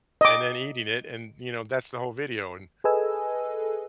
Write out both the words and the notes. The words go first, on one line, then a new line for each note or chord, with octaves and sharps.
and then eating it, and, you know, that's the whole video. And
D#5 D6
G#4 A4 B4 D#5 G#5 E6